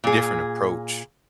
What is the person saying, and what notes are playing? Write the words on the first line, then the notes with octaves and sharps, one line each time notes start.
different approach
A#2 G#4